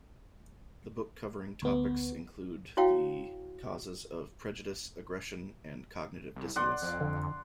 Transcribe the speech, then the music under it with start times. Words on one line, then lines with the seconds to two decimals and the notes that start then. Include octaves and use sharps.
The book covering topics include the causes of prejudice, aggression, and cognitive dissonance.
1.62 D2 B3
2.77 E4 F#4 C#5 F5 G5
6.36 C2
6.56 B1 D5 F#5 C6
6.82 F2
7.01 D3